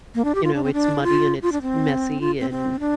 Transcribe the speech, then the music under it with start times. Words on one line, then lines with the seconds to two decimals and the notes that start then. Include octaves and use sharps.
you know, it's muddy and it's messy and
0.15 A#3
0.24 D4
0.35 G4
0.44 F4
0.54 D4
0.64 C4
0.73 D4
1.03 F4
1.42 F4
1.52 D4
1.62 C4
2.21 F4
2.40 C4
2.50 C4
2.80 D4